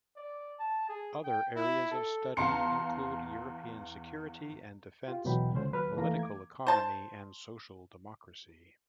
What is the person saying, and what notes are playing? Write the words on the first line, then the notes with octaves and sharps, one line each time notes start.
Other areas of study include European security and defence, political economy, and social democracy.
D5
A5
G#4
G5
E4
A4
E2 F5 A5 A#5 C6 C#7
F4 G4
E2 B2 E3 F#3 G5 B5
C#2 D3 C#4 C5
D#2 F#3 B4 F6
F2 E3 A3 A#3 F5 A#5
D6 G#6
C5 A5